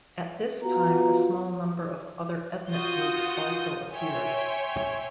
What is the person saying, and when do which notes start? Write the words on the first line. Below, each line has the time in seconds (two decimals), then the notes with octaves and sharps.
At this time a small number of other ethnic groups also appeared.
0.62 B3 F4 F#4 A#5
2.71 F4 F#4 D#6 G6
3.92 C#5 E5 G5 G#5 C6